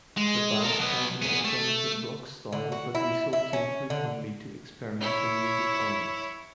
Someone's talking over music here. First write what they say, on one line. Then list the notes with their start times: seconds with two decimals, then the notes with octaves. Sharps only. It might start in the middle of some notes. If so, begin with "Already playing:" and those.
The band plays in alternative rock style, but resorting frequently to experimental music elements.
0.17 G#3
0.63 A4 A#4
0.79 F#3 B3
1.22 B3 G#4
1.45 A3
2.52 D3
2.72 F#4
2.95 E4
3.33 E4
3.53 C#4
3.90 D3
5.01 E4 C#5